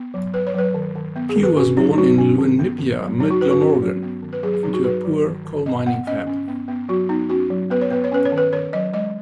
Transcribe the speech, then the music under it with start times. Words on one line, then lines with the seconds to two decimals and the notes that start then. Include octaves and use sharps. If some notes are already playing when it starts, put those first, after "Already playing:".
Pugh was born in Llwynypia, Mid Glamorgan, into a poor coal mining family.
Already playing: B3
0.14 F#3
0.34 F#3 B4
0.47 C#5
0.54 F#3 B4
0.74 D#3
0.96 D#3
1.16 B3
1.29 G#4
1.36 D#3
1.43 B4
1.57 C#4 F#4
1.77 F#3 D#4
1.93 D#4
1.98 F#3 F#4
2.18 C#4
2.38 D#3
2.59 B3
2.79 D#3
3.00 F#3
3.20 F#3 D#4
3.31 F#4
3.41 C#4 B4
3.51 F#4
3.61 C#4 F#4
3.82 F#3
4.03 B3
4.22 D#3
4.33 B4
4.43 F#3 G#4
4.54 G#4
4.63 F#3 D#4
4.74 F#4
4.84 F#3 B4
5.04 F#3
5.26 D#3
5.45 D#3
5.66 B3 D#5
5.86 B3 F#5
6.07 C#4 D#5
6.27 C#4
6.48 B3
6.68 B3
6.89 F#3 F#4
7.09 B3 D#4
7.30 C#4 F#4
7.50 F#3
7.70 B3 B4
7.81 C#5
7.91 B3 B4
8.04 C#5
8.12 C#4 B4
8.25 C#5
8.32 D#3
8.38 B4
8.53 D#3 C#5
8.73 F#3 D#5
8.93 G#3 D#5